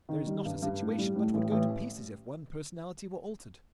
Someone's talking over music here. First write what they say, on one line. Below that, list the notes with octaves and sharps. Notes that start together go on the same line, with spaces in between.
There is not a situation but would go to pieces if one personality were altered.
D#3
G3
G2
G2
A2
G3
A2
A1
A1